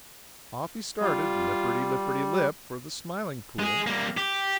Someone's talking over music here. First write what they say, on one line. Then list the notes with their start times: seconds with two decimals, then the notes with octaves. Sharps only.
Off he started, lipperty-lipperty-lip, for the Smiling Pool.
1.01 G3 F4
3.59 G#3 G#4
3.87 G3 A#3
4.17 G4